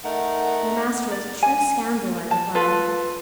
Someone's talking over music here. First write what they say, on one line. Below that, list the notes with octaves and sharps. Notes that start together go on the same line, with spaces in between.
'Your master is a true scoundrel!' I replied.
A3 D#4 A#4 F#5
D5
G#5
A5
F4 A4 B4